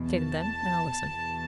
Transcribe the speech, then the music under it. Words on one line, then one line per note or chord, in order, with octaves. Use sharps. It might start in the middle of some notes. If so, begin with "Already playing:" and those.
"Say them, then, and I'll listen."
Already playing: E2 B2
A5
E2 B2